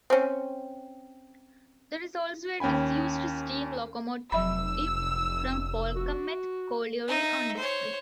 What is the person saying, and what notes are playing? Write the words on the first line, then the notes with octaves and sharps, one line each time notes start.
There is also a disused steam locomotive from Polkemmet Colliery on display.
C4 C#4
D#2 C#4 G5 G#5 B5
F1 F#3 E5 B5 E6
F#4
D#4 E5
C5 C#5